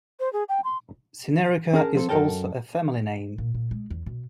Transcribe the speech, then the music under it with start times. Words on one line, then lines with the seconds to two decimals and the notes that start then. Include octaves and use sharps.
Senarica is also a family name.
0.20 C5
0.33 G#4
0.49 G5
0.64 C6
1.73 C#4 G#4 A#4 A5
1.95 F3 C4 A4
2.09 F#2 F3 A4 A#4 G5 A5
3.38 A#2
3.55 A#2
3.71 G#3
3.90 E2
4.06 B2